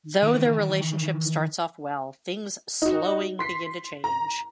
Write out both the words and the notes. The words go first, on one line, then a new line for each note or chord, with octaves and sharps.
Though their relationship starts off well, things slowing begin to change.
D#3 E3
D#4 F#4
C6 B6 C7
A#5